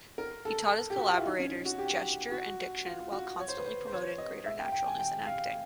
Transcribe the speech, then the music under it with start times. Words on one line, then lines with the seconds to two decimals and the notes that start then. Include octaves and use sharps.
He taught his collaborators gesture and diction while constantly promoting greater naturalness in acting.
0.18 A#4
0.45 A4
0.90 G4
0.98 F#4
1.08 F4
1.16 E4
1.25 D#4
1.39 C#4
1.65 F#4
1.78 G4
2.31 F#4
2.85 F4
3.12 F#4
3.39 C#5
3.48 C5
3.57 B4
3.65 C5
3.87 C5
3.93 C#5
4.18 D#5
4.46 E5
4.59 G5
4.72 G5
4.86 G#5
4.99 G5
5.26 F5